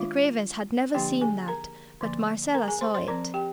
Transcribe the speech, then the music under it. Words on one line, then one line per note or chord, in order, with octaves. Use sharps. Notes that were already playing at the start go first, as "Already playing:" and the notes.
The Cravens had never seen that, but Marcella saw it.
Already playing: D#3 G#3 D4 F4 F5
D3 F3 A#3 D4 G4 G5
G#4 G#5
A#4 A#5
D3 F3 A#3
A#4 A#5
G#4 G#5
C5 C6
C5 C6
F3 C4 A#4 A#5
G4 G5